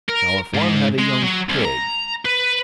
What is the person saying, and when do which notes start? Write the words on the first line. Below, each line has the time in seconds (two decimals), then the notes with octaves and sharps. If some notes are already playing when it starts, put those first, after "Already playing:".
Now, if one had a young pig!
0.09 A#4
0.54 G#2
0.98 G#3
1.23 F#3
1.49 C2
1.65 A#5
2.25 B4